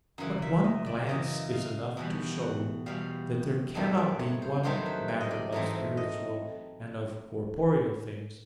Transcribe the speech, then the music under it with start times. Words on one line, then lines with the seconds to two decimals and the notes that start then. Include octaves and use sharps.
But one glance is enough to show that there cannot be one matter of spiritual and of corporeal things.
0.18 F#2 C#3 E3 F#5
0.42 E5
0.64 D#5
0.86 D5
1.07 F#2 C#3 E3 D#5
1.53 F5
1.97 E2 B2 G3 F#5
2.42 F#5
2.86 E2 B2 G3 F5
3.75 G2 D#3 F#3 A3 C4 E5
3.97 D5
4.19 C#5
4.42 C5
4.63 G2 D#3 F#3 A3 C4 C5
4.86 B4
5.08 C5
5.21 D#5
5.31 D5
5.52 G#2 E3 A3 C4 D#5
5.97 D#5